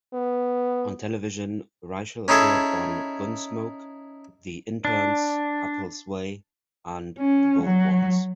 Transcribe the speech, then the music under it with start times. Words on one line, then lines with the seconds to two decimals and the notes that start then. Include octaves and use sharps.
On television, Reischl appeared on "Gunsmoke", "The Interns", "Apple's Way" and "The Bold Ones".
0.13 B3
2.28 C#4 D#4 E4 G#4 A4
4.85 D4
7.19 C#4
7.62 F#3